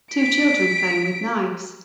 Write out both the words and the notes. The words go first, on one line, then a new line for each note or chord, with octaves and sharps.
Two children playing with knives.
B6 D7